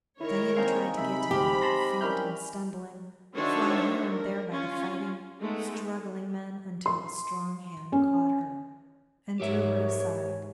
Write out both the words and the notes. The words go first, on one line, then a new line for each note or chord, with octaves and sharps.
Diana tried to get to him, faint and stumbling, flung here and there by the fighting, struggling men, until a strong hand caught her and drew her aside.
D#3 E4 A#4 C#5
G#3 A#3 C4 D#4 F5
C3 E5 B5
D2 C4 G4 F5 A#5
A5 C6 A#6
G3 C#4 E4 A#4 F6 G6
D#3 F#3 D4 C5 C#5 E5
A#4
C#4 F4
G#3 A3 B3 D#4 A4
C6
C#4
G#2 G4 A#4 C#5 E5